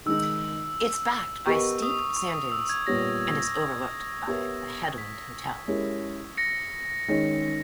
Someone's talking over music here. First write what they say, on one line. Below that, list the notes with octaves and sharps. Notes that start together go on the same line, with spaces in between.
It is backed by steep sand dunes and is overlooked by the "Headland Hotel".
D#3 G#3 D#4 E6
B3 G4 A#4 D#5 C#6
D#6
C#6
D#6
E6
G#6
A#2 G3 B3 G4 C#5 A#6
G#6
B3 G4 A#4 C#5 E5
B6
G#3 C#4 E4 G4 A#4
A#6 C#7
D#3 G#3 C#4